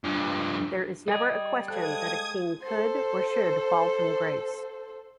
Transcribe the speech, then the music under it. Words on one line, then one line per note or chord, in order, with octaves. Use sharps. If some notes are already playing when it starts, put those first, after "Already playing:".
There is never a question that a king could or should fall from grace.
G2 F3
G3 G#4 D#5
G#3 A4 C5 F5 A5 D#6 F#6 G#6
A4 C5